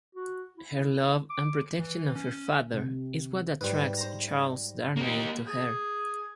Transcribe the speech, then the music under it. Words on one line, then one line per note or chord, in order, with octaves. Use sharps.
Her love and protection of her father is what attracts Charles Darnay to her.
F#4
E4
D6
E3
C#4
C3
G#2 G3 B4 C5
C5 A#5
A#3 G4
G#4